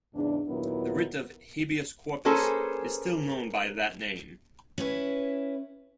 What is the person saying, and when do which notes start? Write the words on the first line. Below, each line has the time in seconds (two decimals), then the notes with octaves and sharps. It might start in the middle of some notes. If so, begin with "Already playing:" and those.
The writ of "habeas corpus" is still known by that name.
0.15 E2 G#2 C#3 D4
0.48 D#2 A#2 F#3 B3 E4 A#4
2.25 A#3 C#4 G#4 A4 B4 C5
4.78 C#4 E4 B4